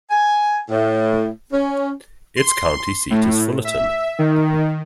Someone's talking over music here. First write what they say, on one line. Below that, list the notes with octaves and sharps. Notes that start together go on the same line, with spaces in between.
Its county seat is Fullerton.
G#5
A2
C#4
C6
A2
E5
D#3